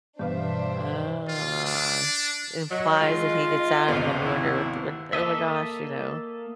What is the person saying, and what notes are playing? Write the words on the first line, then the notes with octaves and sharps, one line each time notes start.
Oh. It implies that he gets out, and then you wonder, "What what th oh my gosh," you know?
G2 B2 E3 D4 B4 C5 E5 F5
F4
D4
F#3 D#5
D#3 G#3 F4
G#1 D#2 C3 B3
E4
A#3 A4 D#5 E5